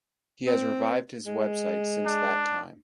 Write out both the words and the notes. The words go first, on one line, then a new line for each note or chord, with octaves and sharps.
He has revived his website since that time.
C4
G#3
D4